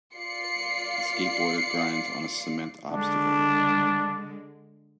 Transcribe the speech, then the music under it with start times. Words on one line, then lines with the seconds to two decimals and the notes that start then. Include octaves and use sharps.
A skateboarder grinds on a cement obstacle.
0.15 F4 D5 C7 C#7
2.89 D3 G#3 D4